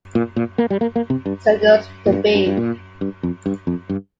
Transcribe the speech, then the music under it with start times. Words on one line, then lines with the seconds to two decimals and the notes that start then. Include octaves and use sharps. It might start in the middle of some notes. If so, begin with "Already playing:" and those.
Sigel's The B.
0.15 A#2
0.36 A#2
0.58 A#3
0.70 G3
0.81 A#3
0.96 A#3
1.10 C3
1.26 G2
2.06 A#2
2.13 G2
2.35 G2
2.46 G2
2.57 A#2
3.01 G2
3.23 F2
3.46 G2
3.67 F2
3.89 G2